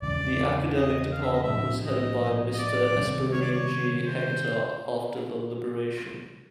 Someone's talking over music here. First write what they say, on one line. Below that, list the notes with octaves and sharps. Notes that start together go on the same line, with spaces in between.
The academic department was headed by Mr. Esperidion G. Heceta after the liberation.
E2 C#3 F3 G#3 D5
D#5
F5
E5
D#5
E5
A2 F3 A3 D4
D#5
D#5
D5
C3 D#3 G3 C4
C#5
D5
C#5
C5